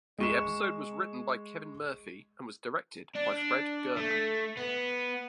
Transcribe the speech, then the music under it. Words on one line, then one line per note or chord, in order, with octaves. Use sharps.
The episode was written by Kevin Murphy and was directed by Fred Gerber.
G#3 C#6 E7
D4
A3
B3